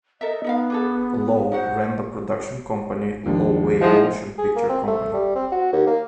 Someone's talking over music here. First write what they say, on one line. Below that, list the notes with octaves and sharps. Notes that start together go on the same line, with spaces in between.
Lo ran the production company "Lo Wei Motion Picture Company".
A4 A#4 D#5 E5
B3 D#4 E5 F5
D4 G#4 A4
D#4 F#4 C5 F#5
D#2 F3 D4
F3 G#3 D#4 E4 F#5
G#4
A#3
C4
A3
G3
C4
F#4
D#2
A#3